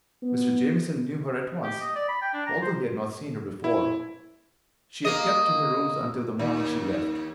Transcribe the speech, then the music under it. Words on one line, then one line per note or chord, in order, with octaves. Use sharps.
Mr. Jamieson knew her at once, although he had not seen her before. She had kept to her rooms until the morning she left.
B3
G4
D#5
D5
B5
G5
D4
A#5
C5
E4
A#3 D#5
D#2